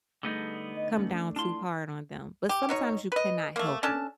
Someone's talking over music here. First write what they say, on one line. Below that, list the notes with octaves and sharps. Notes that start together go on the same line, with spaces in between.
come down too hard on them, but sometimes you cannot help it.
D3 G3 A3 B3 D#4 G#4
D#5
A3 C#4
D4
D4 E4 F4 C6
G4
B2 D#4 C#5
B4 D#5
A3 A#3
C#4 D4 A4 A5